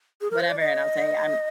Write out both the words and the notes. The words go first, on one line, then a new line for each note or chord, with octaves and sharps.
whatever, and I'll say, "I'm,
G#4
A#4
C5
D5
D#5